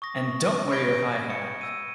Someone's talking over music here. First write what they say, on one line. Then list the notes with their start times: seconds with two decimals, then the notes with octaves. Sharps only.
And don't wear your high hat!
0.02 C#6 D#6 A#6
0.71 B5 G6 G#6 A#6 D7 G7
1.00 B5
1.30 C#7
1.61 E6 D#7